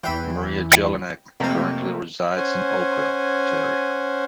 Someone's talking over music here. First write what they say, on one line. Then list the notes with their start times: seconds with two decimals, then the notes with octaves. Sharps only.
Maria Jelinek currently resides in Oakville, Ontario.
0.04 E2 E3 C5 G5 B5
1.40 F2 C3 A3 A#3 C4
2.37 C#4 C5 F#5 G#5